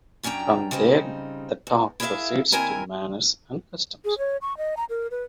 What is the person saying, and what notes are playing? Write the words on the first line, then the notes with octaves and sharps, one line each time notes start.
From there, the talk proceeds to manners and customs.
F#2 C#4 D4 G5 A#5
C#3 G3 C4 D#4
E2
E4 G#4 A#4 C#5 E5 F5
D#2 C4 E4 A#4 G#5 A#5
G#4
C#5
C#6
D#5
A#5
A#4
B4